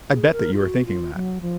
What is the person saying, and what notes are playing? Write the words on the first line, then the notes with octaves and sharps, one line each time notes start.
I bet that you are thinking that.
G#4
A#4
F4
F#4
F4
F#3
F3